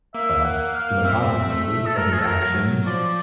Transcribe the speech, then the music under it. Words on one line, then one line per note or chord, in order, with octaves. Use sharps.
well, with the consequences of your actions,
A#3 E5
F#5
F5
C4 E5
A3
A4
A3 A#4
G#4
A4
A#4
F#3
F3 D5